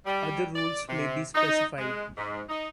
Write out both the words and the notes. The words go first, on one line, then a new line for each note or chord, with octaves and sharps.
Other rules may be specified.
G3
D5
C3
D#4
G#3
G#2
D#4